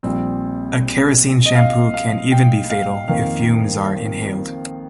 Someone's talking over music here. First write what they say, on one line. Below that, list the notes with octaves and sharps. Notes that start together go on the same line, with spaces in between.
A kerosene shampoo can even be fatal if fumes are inhaled.
A#1 A#2 G3 C4
D#5
F5
F5
G5
F5
F2 D#3 A#3 F5